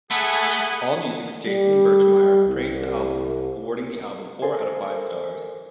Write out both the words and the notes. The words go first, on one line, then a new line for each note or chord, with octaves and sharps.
AllMusic's Jason Birchmeier praised the album, awarding the album four out of five stars.
A3 G#4 F#5 G#5 B5
G3
C2
A4 A#4 C5 G#5